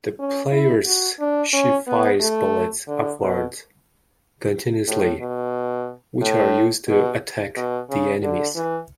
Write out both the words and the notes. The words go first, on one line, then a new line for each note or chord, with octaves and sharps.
The player's ship fires bullets upwards continuously, which are used to attack the enemies.
C#4
E4
F#4
D4
C#4
B3
A3
D3
B2
A2
B2
A2
B2
B2
C#3
D3
E3